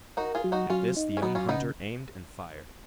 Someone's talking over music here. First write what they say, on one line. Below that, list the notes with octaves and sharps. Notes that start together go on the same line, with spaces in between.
At this the young hunter aimed and fired.
D#4 F#4 A#4
F4 G#4
F#3
D#4 F#4
F#3 C#4 F4
D#4
C#4
F#3 B3 D#4
C#4 F4
C#3 B3 D#4